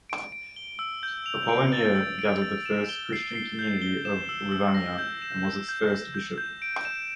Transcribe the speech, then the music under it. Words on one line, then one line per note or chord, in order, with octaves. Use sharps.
Apollinaire gathered the first Christian community of Ravenna and was its first bishop.
D7
D7
G7
E6
G6
F7
D7
A6
E6
D7
A6
E7
G7
C7
C7
G6
G7
E7
E6
E6
A#6
G6
E7
G6
G6
G6
G6
G6
D7
E7